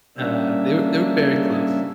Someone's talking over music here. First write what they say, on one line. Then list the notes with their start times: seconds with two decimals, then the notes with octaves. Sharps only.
uh, they were they were very close,
0.17 G3 A#3 C#4 D4 E5